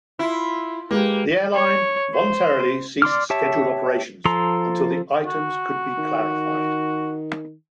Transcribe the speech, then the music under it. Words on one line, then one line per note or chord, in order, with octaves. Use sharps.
The airline voluntarily ceased scheduled operations until the items could be clarified.
E4 F4
G#3 A#3 G4 B4
C#5
C5
D5 C6 D6 F6
G4 C#5 E5 A5
F3 A4 A#5 C6
F#4
D#3